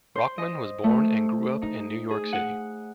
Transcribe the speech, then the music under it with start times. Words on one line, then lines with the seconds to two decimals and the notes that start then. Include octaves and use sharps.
Rockman was born and grew up in New York City.
0.15 C5
0.38 D#5
0.84 A3
1.62 D#4
2.11 G#4
2.33 F#5